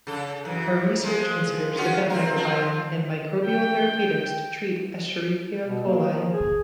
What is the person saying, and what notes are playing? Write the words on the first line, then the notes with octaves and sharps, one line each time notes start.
Her research considers the gut microbiome and microbial therapeutics to treat Escherichia coli.
C#3 A4
F#2 E3
F3 G#3
C#4 F4 F#4
C4 F4 A#4
F3 C4 F4
G5
B2
A#3
F3
G#4